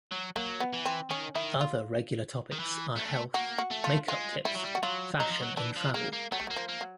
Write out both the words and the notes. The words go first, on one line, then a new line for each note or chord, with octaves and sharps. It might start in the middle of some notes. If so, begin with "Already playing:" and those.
Other regular topics are health, make-up tips, fashion, and travel.
F#3
F#3 A#3
B3
E3
C4
D#3 C#4
D#3 E4
F4
D#3
E3
A3
A#3 F#4
F#4
A3
F4
G#3 F4
G3 E4
F#3
G3
F#4
F#3 F4
F#3 D#4
F3
F#3
E3 D4
F3
G#3 A#3
A#3
F#3 A3
G3
F#3
A#3
F3
A#3
F#3